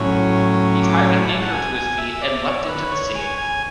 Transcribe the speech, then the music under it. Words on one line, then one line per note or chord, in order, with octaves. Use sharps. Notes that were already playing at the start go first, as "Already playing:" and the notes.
He tied an anchor to his feet and leapt into the sea.
Already playing: A2 F#3 C#4
D6
B5
A5
F#5
G#5
G#5
E5
D5
C#5
B4
C#5
G#5
G#5